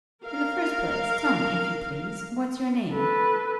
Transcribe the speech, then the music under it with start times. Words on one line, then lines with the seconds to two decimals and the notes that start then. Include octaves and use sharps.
'In the first place, tell me, if you please, what's your name?'
0.24 A#4 F5
2.92 A4 B4